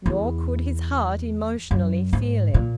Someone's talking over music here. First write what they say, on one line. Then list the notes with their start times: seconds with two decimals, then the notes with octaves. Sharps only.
Nor could his heart emotionally feel it.
0.06 E2
1.71 F#2
2.13 G#2
2.54 A#2